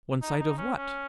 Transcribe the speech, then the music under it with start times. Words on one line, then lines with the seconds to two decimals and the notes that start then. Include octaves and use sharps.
'One side of WHAT?
0.22 D#4
0.41 D#4
0.58 C#4
0.77 C#4